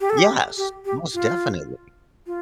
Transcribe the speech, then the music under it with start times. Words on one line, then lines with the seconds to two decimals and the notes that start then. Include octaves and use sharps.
Yes, most definitely.
0.01 G4
0.10 A4
0.18 G4
0.57 G4
0.85 G4
1.14 F4
2.26 F4